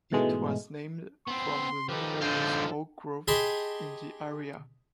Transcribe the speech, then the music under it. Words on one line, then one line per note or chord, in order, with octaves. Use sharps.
It was named from the numerous oak groves in the area.
G#2 B2 E3 G#3 A3
B3 C4 C6
F3 D#4 G4 A4 B4
D3 F4 A4 G6
G4 G#4 D#5 A5 B5 C6